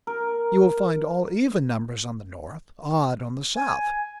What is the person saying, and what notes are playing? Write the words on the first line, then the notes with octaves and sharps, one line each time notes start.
You will find all even numbers on the north, odd on the south.
A#4
G#5